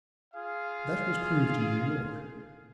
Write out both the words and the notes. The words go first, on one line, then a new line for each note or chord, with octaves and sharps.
That was proved in New York.
F4 G#4 F5